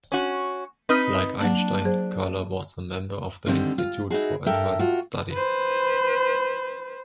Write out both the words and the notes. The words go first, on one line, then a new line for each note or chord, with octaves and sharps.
Like Einstein, Kahler was a member of the Institute for Advanced Study.
C#4 F#4
C4 D#4 B4 D#5 F6
F#3 A#3 D4
F#3 G#4 C5
D3 D#3 G3 A#3 C4 D4
F4
D#4 E4 F#4 G#4
G2 A4 A#4 E5 G5
F4 F#4
B4 C5